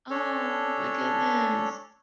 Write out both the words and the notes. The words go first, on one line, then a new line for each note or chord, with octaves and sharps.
Oh my goodness.
C#4 D4 A4 C#5